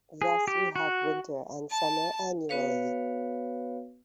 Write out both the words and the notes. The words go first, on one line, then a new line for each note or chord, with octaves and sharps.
Thus we have winter and summer annually.
G#4
G4
F#4
A5
B3 F#4 B4 C#5 F5